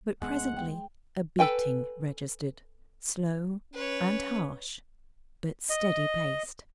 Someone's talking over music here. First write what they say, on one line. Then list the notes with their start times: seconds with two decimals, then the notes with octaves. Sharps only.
But presently a beating registered, slow and harsh but steady-paced.
0.22 D2 G#3 B3 F#5
0.56 G5
1.39 A4 B4 G5 G#5
3.74 C#4 B4 C#5
5.70 D#5